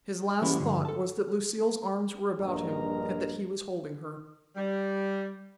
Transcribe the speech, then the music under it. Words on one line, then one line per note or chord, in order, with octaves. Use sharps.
His last thought was that Lucille's arms were about him, and that he was holding her.
E3 G3 A#3 B3 C#4 E4
G2 D3 F3
A4 A5
A#1 G2 A#4 D#5 A#5
G3